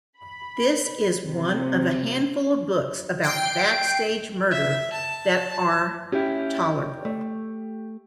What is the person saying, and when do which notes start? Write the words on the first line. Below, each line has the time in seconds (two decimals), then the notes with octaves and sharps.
This is one of a handful of books about backstage murder that are tolerable.
0.19 B5
1.27 C3
3.24 G5 C7 D7
4.51 E5
4.92 A5
6.12 C#4 E4 G4
7.05 A3